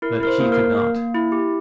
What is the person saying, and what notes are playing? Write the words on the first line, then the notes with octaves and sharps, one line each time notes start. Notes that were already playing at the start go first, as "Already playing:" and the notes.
But he could not.
E4 A#4
E4 A#4
C5
A#3
A#4
A#3
A#3
A#3
E4
G4